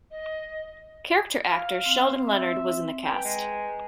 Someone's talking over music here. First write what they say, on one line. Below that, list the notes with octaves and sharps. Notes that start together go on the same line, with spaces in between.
Character actor Sheldon Leonard was in the cast.
D#5
F5
C4
E5
B4 G5 G#5 A#5
G#3